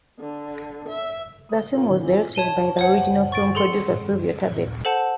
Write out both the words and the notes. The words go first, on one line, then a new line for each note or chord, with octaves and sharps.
The film was directed by the original film producer Sylvio Tabet.
D3
E5
D#6
F4 A4 B4 C#5 F5 A#5
A2 D3 D#3 A#3
E3 F3 C4
C#5 A5 D#7 G7
C5 C#5 F#5
C#6 A6 D7
G#4 A4 C6 C#7
A4 C5 F#5 A5